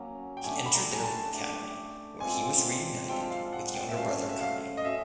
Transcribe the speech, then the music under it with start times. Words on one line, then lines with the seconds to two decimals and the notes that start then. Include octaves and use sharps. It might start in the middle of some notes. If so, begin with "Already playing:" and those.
He entered their Academy where he was reunited with younger brother Carney.
Already playing: F#3 A#3 C#4 F#4
0.37 G5
0.44 A3 D4 G4 G#5
0.66 B5
0.74 A#5
0.94 G#5
1.04 A5
1.33 A3 D4 G4
2.20 G#3 C4 F4 A4 G#5
3.09 G#3 C4 F4 A4 G5
3.31 F5
3.53 F#5
3.75 G5
3.89 E5
3.97 A3 C#4 F#4 F5
4.29 E5
4.41 F5
4.77 D#5
4.85 A3 C#4 F#4 E5